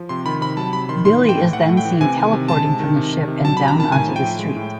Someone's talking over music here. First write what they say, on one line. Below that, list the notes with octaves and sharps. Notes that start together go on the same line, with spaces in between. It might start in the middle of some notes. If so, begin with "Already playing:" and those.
Billie is then seen teleporting from the ship and down onto the street.
Already playing: F3
C3 C6
D#3 B5
C3 B5
F#3 A5
C3 B5
D#3 C6
A2 C6
E3
G5
A2
A3 F#5
A2
G5
E3
C3 G#5
D#3
C3
G#3 A5
C3
D#3
C3
D#3
C3
F#3 A5
B5
C3
A#5
D#3 A5
A2 G#5
F3
G5
A2
G#3
A2